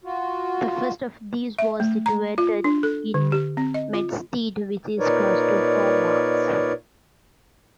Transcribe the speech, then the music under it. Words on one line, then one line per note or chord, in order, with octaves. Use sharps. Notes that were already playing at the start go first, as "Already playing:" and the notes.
The first of these was situated in Medstead which is close to Four Marks.
F4 F#4
E5
A3
A#5
F4
D4
A4
D3
G4
C4
D#5
F4
A#2 D#4 A#4 B4 C#5 D5